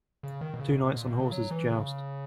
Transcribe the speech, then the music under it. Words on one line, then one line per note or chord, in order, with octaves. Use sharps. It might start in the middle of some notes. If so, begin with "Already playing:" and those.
Two knights on horses joust.
C#3
D#3
B2
C#3
B2
B2
A#2
B2
C#3
F#3
E3
C#3